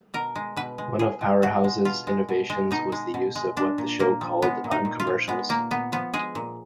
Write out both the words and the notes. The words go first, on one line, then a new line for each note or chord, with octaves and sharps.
One of "Powerhouse's" innovations was the use of what the show called Uncommercials.
B2 A#4
G#3
B2 B4
G#3
B2 G#4
G#3
B2 F#4
G#3
B2 F4
G#3
B2
G#3
B2 D#4
G#3
B2
G#3
G#3 D4
A#2
A#2 A#3
F3
G#3 B3
A#2
D#4
A#2
F4
F3
G#3 B3
A#2 A#3
A#2 B3
F3 B3
G#3 G#4
A#2